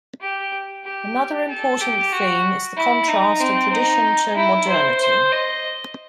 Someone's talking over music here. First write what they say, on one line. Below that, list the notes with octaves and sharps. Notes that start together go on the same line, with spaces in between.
Another important theme is the contrast of tradition to modernity.
G4
G4
A4
G4
F#4
E4
D#4
C4
D#4
E4
C5
C5
D#5